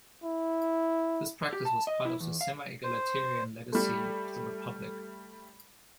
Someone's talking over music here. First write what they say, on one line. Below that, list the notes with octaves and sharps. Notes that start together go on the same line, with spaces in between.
This practice was part of the semi-egalitarian legacy of the Republic.
E4
G4
A5
D#5
E4
E2
F5
C5
G3 A3